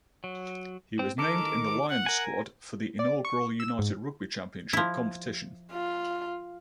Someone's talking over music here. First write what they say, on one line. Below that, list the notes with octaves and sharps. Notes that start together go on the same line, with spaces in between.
He was named in the Lions squad for the inaugural United Rugby Championship competition.
F#3
C4
D#3 A4 A#4 D6
F#5
A#4 G#5
D5
C#6
E6
G#2
F3 E4
F4